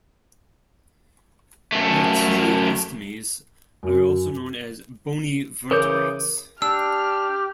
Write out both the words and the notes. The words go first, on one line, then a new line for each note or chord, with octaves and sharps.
Euteleostomes are also known as "bony vertebrates".
F#2 A3
F#2
C#3 E3 A#4 C#5 D6 D#6 G6
D4 G4 E6 F6